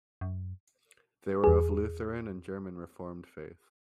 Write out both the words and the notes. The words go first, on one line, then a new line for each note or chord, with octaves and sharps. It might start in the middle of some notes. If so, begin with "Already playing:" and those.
They were of Lutheran and German reformed faith.
F#2
E2 G#4